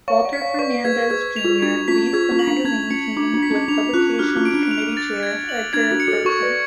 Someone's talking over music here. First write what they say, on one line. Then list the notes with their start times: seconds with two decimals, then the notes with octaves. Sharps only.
Walter Fernandez, Junior leads the magazine's team, with publications committee chair Edgar Burcksen.
0.08 C#5 F5 C#6
0.25 D5 F#5
0.33 B6
0.41 C#5 F5
0.59 B4 D5 C#6
0.84 G#4 B4 G#6
1.10 G#4 B4 G#6
1.36 F7
1.45 F4 G#4
1.62 D4 F#4 G#6
1.88 C#4 F4 B6
2.13 F4 G#4 G#6
2.31 C#4 F4
2.39 F#7
2.47 D4
2.65 C#4 G#6
2.90 C#4 C#7
3.16 D4 D6
3.34 D4
3.42 B6
3.51 C#4
3.68 D4 F7
3.93 C#4 F4 F#6
4.19 D4 F#4 F6
4.36 C#4 F4
4.45 D7
4.54 D4
4.71 F7
4.97 A6
5.23 G#6
5.49 F#7
5.73 D4 G#6
5.91 D4 F#4
6.00 C#7
6.08 F#4 A4
6.25 F#4 A4 C#6
6.42 B4 D5